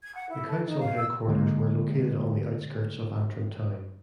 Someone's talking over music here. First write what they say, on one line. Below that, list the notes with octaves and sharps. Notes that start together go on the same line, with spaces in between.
The council headquarters were located on the outskirts of Antrim town.
G#6
F#5
E4
A4
D#4
F5
E6
D3 G#3 A#3